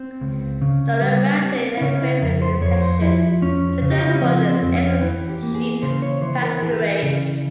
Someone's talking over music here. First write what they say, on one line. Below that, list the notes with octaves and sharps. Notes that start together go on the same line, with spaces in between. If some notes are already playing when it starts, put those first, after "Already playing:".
Stono Mountain, embraced in this section, is said to afford excellent sheep pasturage.
Already playing: C4
C#2
C#3
G3
C4
E4
C#3 C#4
E4
F2 A#4
C5
F2 C#5
C5
F3 E4
F2 C#4
C#3
G4
F4
E4
C#4
F3 C4
C4
F2
C#4
E3
G4
A#3
G#4
C#3 C5
C#5
E3 C5
A#4
E3 G#4
C#3